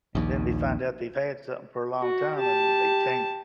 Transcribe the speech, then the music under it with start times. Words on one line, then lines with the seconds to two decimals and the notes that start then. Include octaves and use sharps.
and then they find out they've had something for a long time and they can't
0.15 A#1 D#2
2.01 F#4
2.36 G4 A5